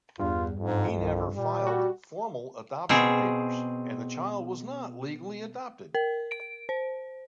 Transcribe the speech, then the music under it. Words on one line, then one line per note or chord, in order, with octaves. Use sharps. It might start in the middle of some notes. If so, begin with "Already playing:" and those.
He never filed formal adoption papers and the child was not legally adopted.
E2 G2 F4
F2 G#2
C2
A#2 G3
F#4
B2 C4 G#4
A#4
D7
C5